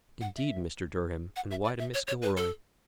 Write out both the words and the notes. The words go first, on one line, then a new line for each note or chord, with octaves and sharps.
"Indeed, Mr. Durham; and why to Mrs. Gilroy?"
F#5
E5
F#5
E5
D5
E5
C#5
C#5
B4
A4